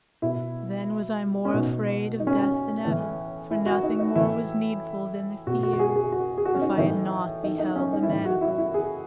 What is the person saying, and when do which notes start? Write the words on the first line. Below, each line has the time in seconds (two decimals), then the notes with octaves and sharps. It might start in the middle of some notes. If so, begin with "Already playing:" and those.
Then was I more afraid of death than ever, For nothing more was needful than the fear, If I had not beheld the manacles.
0.22 B2 E4
1.45 C#4
1.54 B2 D#4
2.20 D#4
2.27 C#4
2.42 C#4
2.85 A2 E3
3.51 E4
3.66 F#4
3.83 D#4
3.99 D#4
4.16 A2 E3 E4
5.47 B2 F#4
5.63 F#4
5.73 F#4
5.79 G#4
5.96 G#4
6.12 F#4
6.38 G#4
6.45 F#4
6.55 C#4
6.61 D#4
6.77 A2 E3 D#4
7.44 D#4
7.59 D#4
7.76 C#4
7.93 D#4
8.03 E4
8.09 A2 E3 D#4
8.25 F#4
8.41 E4
8.58 E4
8.74 G#4